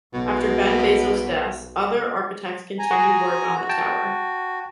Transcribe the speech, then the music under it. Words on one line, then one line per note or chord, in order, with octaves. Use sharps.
After Ben Baso's death, other architects continued work on the tower.
B1 B2
G#5 A#5
F#4 G#4
F#4
G5 A5